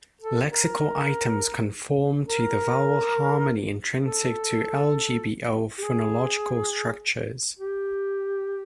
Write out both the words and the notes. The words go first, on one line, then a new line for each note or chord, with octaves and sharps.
Lexical items conform to the vowel harmony intrinsic to Igbo phonological structures.
A4
A#4
A#4
A4
G4
G#4
G4